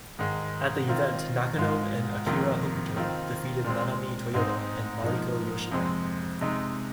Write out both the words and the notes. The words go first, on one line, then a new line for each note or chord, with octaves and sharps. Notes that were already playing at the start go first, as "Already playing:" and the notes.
At the event, Nakano and Akira Hokuto defeated Manami Toyota and Mariko Yoshida.
G#2 D#3 G#3
D#3 C4 F4
G#2 G#3 F4
F2 C3 D#3 A#3 F4
D#3 C4 F4
A#2 G#3 C4
G#2 G#3 C4 D#4
G#2 F3 A#3 D#4
F2 C3 G#3 C4
C3 G#3 D#4